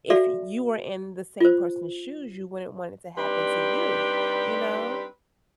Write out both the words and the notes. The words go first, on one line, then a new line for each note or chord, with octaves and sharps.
if you were in the same person's shoes, you wouldn't want it to happen to you, you know?
F#4 A4 D5 E5 F5
F4 C5
G3 C4 D4 D#4 G4 B4